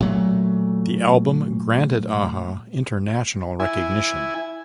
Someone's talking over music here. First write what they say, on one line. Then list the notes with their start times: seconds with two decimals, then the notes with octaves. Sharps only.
The album granted A-ha international recognition.
0.01 A#2 F#3 A3
3.60 E4 G#5